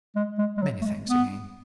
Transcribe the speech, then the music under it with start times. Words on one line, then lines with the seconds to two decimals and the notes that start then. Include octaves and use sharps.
Many thanks again.
0.16 G#3
0.39 G#3
0.57 G#3
0.62 F#3
0.81 A3
0.85 G#3
1.09 B3